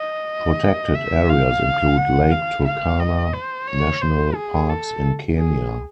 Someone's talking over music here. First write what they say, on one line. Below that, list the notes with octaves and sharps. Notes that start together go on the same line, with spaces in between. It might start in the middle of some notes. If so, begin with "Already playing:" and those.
Protected areas include Lake Turkana National Parks in Kenya.
Already playing: D#5
E5
F5
F#5
F5
F5
D#5
C5
C#5
C5
G#4
A4
G#4